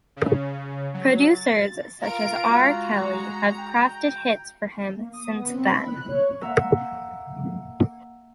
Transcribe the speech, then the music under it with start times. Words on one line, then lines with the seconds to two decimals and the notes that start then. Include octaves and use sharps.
Producers such as R. Kelly have crafted hits for him since then.
0.16 C#3
0.94 F#3
1.34 A6
2.02 F4 A#4 D7
2.47 G#3 F#4 A#5
3.60 G5
4.96 A#3
5.13 D#6
5.29 B3
5.54 C4
5.70 B5
5.88 F#6
6.09 C#5
6.42 A#3 E5 F#5 A#5 E6